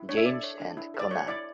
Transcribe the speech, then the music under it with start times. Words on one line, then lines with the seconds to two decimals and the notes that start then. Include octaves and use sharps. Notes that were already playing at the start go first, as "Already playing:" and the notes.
James and Konnan.
Already playing: E4
0.09 D4 C#5
0.17 E5
0.25 A4 D5
0.43 C#5
0.60 D4
0.77 E4
0.94 A4
0.99 D5
1.11 C#5
1.28 E4 D5